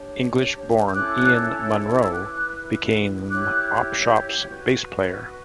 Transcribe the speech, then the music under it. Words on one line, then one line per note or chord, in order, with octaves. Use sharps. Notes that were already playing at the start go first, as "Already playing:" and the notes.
English-born Ian Munro became Opshop's bass player.
Already playing: D4 G4 C#5
G6
C#4 E4 A4 C#5 D6 F#6
D6
E6
E4 B4 D6 F#6
E4 G4 C#5 D6 F#6
F#4 B4